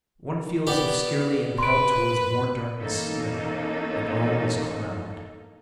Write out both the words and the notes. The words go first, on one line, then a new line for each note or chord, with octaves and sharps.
One feels obscurely impelled towards more darkness still, and all is cloud.
B3 G4 D5
B4 C6 D7
B2 E3 A#3 C#4 D#4 A4